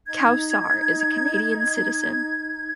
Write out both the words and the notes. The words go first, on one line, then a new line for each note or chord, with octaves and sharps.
Kowsar is a Canadian Citizen.
D#4 G#6